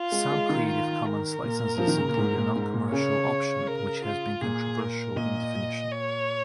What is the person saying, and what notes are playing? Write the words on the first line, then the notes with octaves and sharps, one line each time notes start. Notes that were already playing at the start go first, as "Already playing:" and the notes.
Some Creative Commons licenses include a "non-commercial" option, which has been controversial in definition.
Already playing: F4
G#3
G#3
D#3
F4
A#4
A#2
F3
D#3
C#3
A#2
G#2
A#2
G#2
A#2
C#3 C#5
A#4
F4
A#2 G#4
A#4
A#2 D#5
C#5